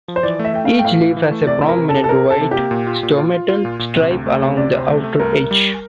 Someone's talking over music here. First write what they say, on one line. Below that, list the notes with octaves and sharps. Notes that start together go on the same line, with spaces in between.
Each leaf has a prominent white stomatal stripe along the outer edge.
F3
C5
E3 D5
A3
E5
A3 G5
F5
A3
G5
A2 F5
E3
E3
A3
C3 D5
E4
A#4
C3
A4
C3
A4
C3 A#4
C3 A4
C3
G4
A#3
A#2
F4
A#2
F4
F4
F4
A#2
A#2
C3
D2
A3
C3
D2 D5
C3
C5
A3
A3
C2 A#4
C2
G3